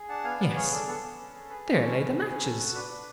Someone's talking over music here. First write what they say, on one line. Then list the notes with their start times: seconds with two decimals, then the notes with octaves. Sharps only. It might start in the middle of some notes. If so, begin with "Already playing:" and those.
Yes, there lay the matches.
Already playing: G#4
0.09 D4 F#5 A5
0.24 B3 F5 G#5
0.40 B3 D5 F#5
0.56 G#4 C#5 F5
0.72 D4 A4
0.87 B3 A4
1.02 B3
1.19 C#4
1.34 G#4
1.50 G#4 B4
1.65 C#4
1.75 D5
1.81 C#4 A4 C#5
1.96 G#4 B4
2.12 G#4
2.28 C#4
2.43 A4
2.59 F#4
2.74 D4 B4
2.90 D4